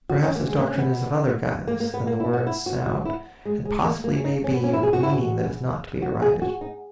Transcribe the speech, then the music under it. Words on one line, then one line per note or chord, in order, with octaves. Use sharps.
Perhaps his doctrine is of other guise Than the words sound, and possibly may be With meaning that is not to be derided.
F#4
C#4
A#3
G#3
A#3
C#4
B3
A#3
A#3
B3
A#3
E4
F#4
E4
F#4
F#4
E4
G#3
G#3
A#3
A#3
D#4
C#4
B3
C#4
E4
G#4
F#4
E4
F#4
F#4
G#4
F#4
D#4